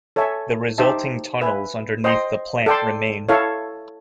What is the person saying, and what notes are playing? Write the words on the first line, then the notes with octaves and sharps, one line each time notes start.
The resulting tunnels underneath the plant remain.
A4 C#5 E5 G#5
D#4 G4 C5 E5 A5
B4 E5 G#5
C5 D#5 G5 C6
A4 D5 G5 C6
E4 A4 C#5 F5